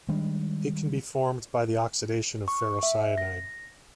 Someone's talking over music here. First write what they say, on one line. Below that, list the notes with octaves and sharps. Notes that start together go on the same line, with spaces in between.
It can be formed by the oxidation of ferrocyanide.
D#3 G3 G#3 D4
C#6
E5
A#6